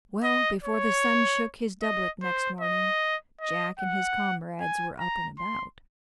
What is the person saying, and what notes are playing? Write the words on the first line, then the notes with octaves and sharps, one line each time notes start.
Well, before the sun shook his doublet next morning, Jack and his comrades were up and about.
D#5
C#5
D#5
C5
D#5
D#5
F#5
G#5
A#5
C6